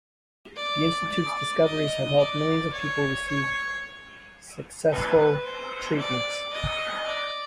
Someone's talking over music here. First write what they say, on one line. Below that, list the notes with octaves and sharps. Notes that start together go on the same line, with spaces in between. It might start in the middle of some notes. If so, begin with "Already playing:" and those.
The Institute's discoveries have helped millions of people receive successful treatments.
D5
D5
D#5
D5
C#5
C#5
B4
C5
D5
D#5
D5